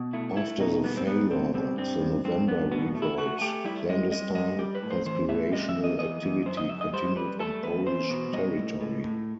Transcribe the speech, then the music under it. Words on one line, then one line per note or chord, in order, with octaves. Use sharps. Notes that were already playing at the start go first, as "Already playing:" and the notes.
After the failure of the November Revolt, clandestine conspiratorial activity continued on Polish territory.
Already playing: B2
A3 E4
A3 E4
B2 D#4
G3 B3
C4
G3 B3
B2 C4
G3 C4
G2 C4
G2
G2 C4
G2 B3
B2 B3
A3
E4
A3 F#4
A3 G4
G3 E4
G3 D#5
G3 D#5
G3 D#5
G3 G4
B4
A2
C5
E3 C5
A2 E5
G3 D#5
E5
E2
D#5
E2 D#5
E2
F#2 C5
D#5
F#2 E5
D#5
G3 C5
G3 B4
A3 A4
E2 B4
E2 C5
B2
G3 D#5
A2
A2
A2